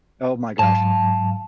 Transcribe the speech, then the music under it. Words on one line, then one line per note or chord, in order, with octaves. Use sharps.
Oh, my gosh.
G#2 F#3 F5 A5